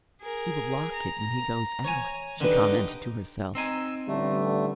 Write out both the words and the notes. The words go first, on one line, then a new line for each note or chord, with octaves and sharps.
"He will lock it when he goes out," she commented to herself.
G#4 A#4
A#5
C#5 G#5
D3 D#4 G4 B4
C4 D#4 G#5 E6
A1 D3 G3 A3